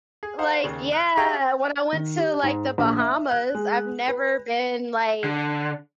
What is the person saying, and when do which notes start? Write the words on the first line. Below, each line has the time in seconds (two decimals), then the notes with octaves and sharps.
like, yeah, when I went to, like, The Bahamas, I've never been, like
0.23 G#4
0.38 A4 C5 F5 F#5
0.64 D#2 C#3
0.92 F#6
1.17 G4 G#4 E5 F5 G5 C#6
1.93 D#3
2.17 G4
2.43 G#2
2.78 A#1
2.99 E5
3.31 F#6
3.55 G#3
4.08 B4
5.24 D3